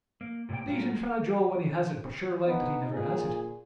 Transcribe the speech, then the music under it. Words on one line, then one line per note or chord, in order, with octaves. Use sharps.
Decent fellow Joe when he has it but sure like that he never has it.
A#3
A2 C3 A#3 D5 G5
A2 F#3 C#4 F4 F#4 A#4
B3 D#4
A#2 G#4